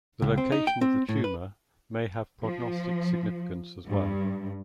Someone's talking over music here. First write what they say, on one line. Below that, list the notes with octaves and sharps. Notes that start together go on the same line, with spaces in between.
The location of the tumor may have prognostic significance as well.
C#2
C4
D#4
G5
C4
A2
B4
F3
G2